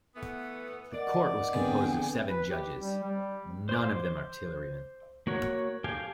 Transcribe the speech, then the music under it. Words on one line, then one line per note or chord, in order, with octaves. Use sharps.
The court was composed of seven judges, none of them an artilleryman.
E3 A3 B3
A#4 D5 D#5 F#5
D3 B3 C4 G#4 G5
B4
G4
G3
G3
C5 C6 D6
A#3 F#4 C#5 F#5
G4 A4 F5 G5 G#5